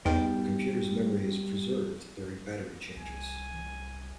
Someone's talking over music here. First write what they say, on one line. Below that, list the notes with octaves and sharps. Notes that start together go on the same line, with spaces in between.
The computer's memory is preserved during battery changes.
E2 G3 B3 D#4 G5
C2 G#5